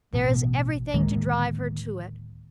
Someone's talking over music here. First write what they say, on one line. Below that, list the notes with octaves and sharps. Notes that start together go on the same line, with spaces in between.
There is everything to drive her to it.
A1 B2
D1 D#3 G#3 A#3